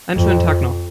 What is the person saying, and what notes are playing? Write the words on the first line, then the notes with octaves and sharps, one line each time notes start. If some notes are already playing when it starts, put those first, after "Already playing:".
Einen schönen Tag noch!
F2